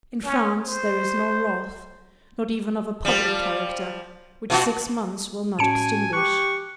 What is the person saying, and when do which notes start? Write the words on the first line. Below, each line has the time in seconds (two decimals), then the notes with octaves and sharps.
In France, there is no wrath, not even of a public character, which six months will not extinguish.
0.24 C#4
0.65 C5
3.05 F3 G3
4.50 B2 F4 F#4
5.59 A2 C#4 F#4 G#5 A5 C#7 D7
6.13 G4 C#6 F#6